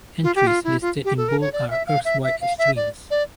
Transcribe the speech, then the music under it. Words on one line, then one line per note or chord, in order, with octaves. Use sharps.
Entries listed in bold are Earth-wide extremes.
F4
G4
F4
E4
F4
G4
A4
A#4
C#5
D5
E5
F5
E5
E5
F5
E5
D5
D5